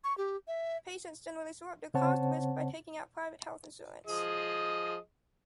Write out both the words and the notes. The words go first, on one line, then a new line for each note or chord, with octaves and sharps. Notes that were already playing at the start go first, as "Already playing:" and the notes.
Patients generally shore up their cost risk by taking out private health insurance.
C#6
G4
E5
C#3 C4 C5 C#5 F#5 A5
F3 G#4 D#5